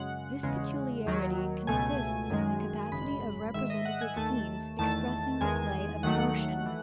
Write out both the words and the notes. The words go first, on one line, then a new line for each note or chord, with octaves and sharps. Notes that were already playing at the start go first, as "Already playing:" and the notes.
This peculiarity consists in the capacity of representative scenes expressing the play of emotion.
Already playing: F#2 C#3 G#3 F#5
E2 C#3 G#3
D#2 D#3 F#3
C#2 B2 A3 G#5
F#2 D#3 G#3
G#1 F#2 C#3 G#3 B5
G#2 D#3 G#3 E5
D#5
F#5
G#5
D#2 D#3 A3 A5
E2 D#3 A3 A5
E2 D#3 G#3 G#5
D#2 D#3 F#3 A3 F#5
E3 A3